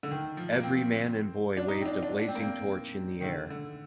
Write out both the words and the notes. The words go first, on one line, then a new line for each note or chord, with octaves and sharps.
Every man and boy waved a blazing torch in the air.
D3
D#3
F3
A#3
C4
D4
D#4
C4
D4
D4
D4
C4
A#3
C4
D#3
D3
D3